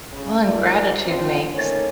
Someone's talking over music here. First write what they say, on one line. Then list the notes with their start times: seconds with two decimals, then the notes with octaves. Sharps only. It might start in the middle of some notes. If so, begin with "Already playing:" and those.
Well, and gratitude makes
0.13 C#3
0.45 G#2 F4 A#4 D5
1.05 F3 C4 C#4 F4 C5
1.54 A3 A#3 C#4 D#4 C#5